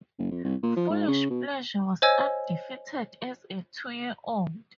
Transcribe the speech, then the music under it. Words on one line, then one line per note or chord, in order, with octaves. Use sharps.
Foolish Pleasure was undefeated as a two-year-old.
F#1
F2
C2
A#2
F3
G#2
C#3
B2
C5 C#5 D#5 G#5 E6 G#6